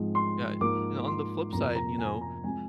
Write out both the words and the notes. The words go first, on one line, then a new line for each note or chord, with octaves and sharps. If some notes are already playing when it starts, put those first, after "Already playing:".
Yeah, and on the flip side, you know,
Already playing: G#2 F3 G#3 C4
C6
G#2 F3 A#3 D6
C6
F2 C3 F3 A#3 A#5
A#5
G#5
A#5
F3 G#3 C4 G#5